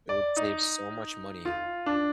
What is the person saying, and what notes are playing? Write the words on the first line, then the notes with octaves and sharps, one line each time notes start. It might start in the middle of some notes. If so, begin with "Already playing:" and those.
It would save so much money.
D5
D#4
F4
D4